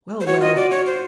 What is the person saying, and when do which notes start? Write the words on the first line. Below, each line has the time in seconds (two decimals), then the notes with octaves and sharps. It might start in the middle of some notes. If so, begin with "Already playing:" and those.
'Well! well!
0.21 C5
0.27 F#4 C#5
0.41 F4 D#5
0.56 F#4 D5
0.71 F#4 C#5
0.86 C5